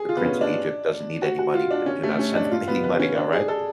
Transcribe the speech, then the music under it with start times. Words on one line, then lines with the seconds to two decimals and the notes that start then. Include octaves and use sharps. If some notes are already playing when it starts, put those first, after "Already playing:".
the prince of Egypt doesn't need any money, d do not send him any money, alright?"
Already playing: G#4
0.09 F4
0.17 B3
0.25 C#4
0.41 D4
1.22 F#4
1.39 F#4
1.54 F4
1.71 D4
1.86 C#4
2.03 A3
2.19 C#4
2.35 D4
2.52 F4
2.68 B3
2.84 B3
3.00 C#4
3.16 D4
3.33 G#4
3.48 A4